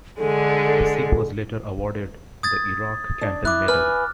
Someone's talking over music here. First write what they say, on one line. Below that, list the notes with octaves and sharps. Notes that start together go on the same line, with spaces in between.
The ship was later awarded the Iraq Campaign Medal.
D3 G#3 A4
D#6 G#6 A6
D4
E4 D6 F#6
B4 G#5 F6